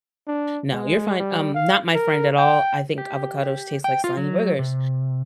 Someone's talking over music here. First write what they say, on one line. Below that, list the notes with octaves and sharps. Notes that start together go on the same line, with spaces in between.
No, you're fine um, not my friend at all. I think avocados taste like slimy boogers,
D4
G#3
G3
F5
A#4
G5
G4
G5
F4
F#3
C3